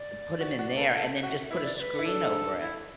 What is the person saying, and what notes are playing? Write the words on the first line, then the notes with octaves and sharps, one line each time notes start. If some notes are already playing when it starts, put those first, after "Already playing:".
and put 'em in there and then just put a screen over it,
Already playing: D5
F#4
F#4
A4 B4
D5
A4 F#5
E5
F#4
E4 B4
D5
D5
B4
E4
D4 A4
E4